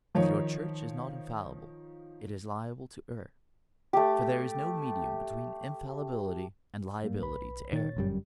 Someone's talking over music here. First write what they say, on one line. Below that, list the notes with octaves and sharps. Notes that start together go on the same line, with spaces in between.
If your church is not infallible it is liable to err, for there is no medium between infallibility and liability to error.
D#3 F3 D#4 C#5
A3 G4
G#2 G3 A#3
B1 B4 B5
A#2 D#3 C#5 A6
G1 F#2 G3